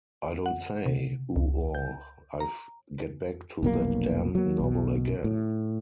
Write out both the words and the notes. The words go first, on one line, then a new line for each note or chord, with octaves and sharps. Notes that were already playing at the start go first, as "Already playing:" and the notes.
I don't say, uh oh, I've get back to that damn novel again.
F#5
C3
C#2
G6
A#5
F1 B1 A#3
F#3 A#3
B1 B2
A2